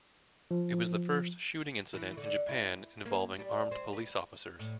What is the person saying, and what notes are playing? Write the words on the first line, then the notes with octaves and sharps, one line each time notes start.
It was the first shooting incident in Japan involving armed police officers.
F3
E3
D3
E4
A#3
G3
C4
B4
A2